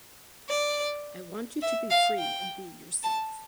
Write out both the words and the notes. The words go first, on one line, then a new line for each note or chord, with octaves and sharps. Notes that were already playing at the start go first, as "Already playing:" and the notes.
I want you to be free and be yourself.
D5
E5
F5
G5
A5